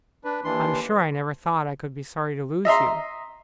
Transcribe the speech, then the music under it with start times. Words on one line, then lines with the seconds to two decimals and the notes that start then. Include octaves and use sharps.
I am sure I never thought I could be sorry to lose you!'
0.24 D4 B4
0.45 D#2 E3 D4 C6
2.65 D#5 E5 A#5 C6